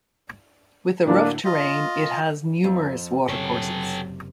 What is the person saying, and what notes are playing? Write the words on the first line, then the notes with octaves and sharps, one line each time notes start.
With a rough terrain, it has numerous water courses.
A2 D3 F#3 A#3 D4
F4 D#5
F2
F#1 C3 F#3 G4 A4 C#5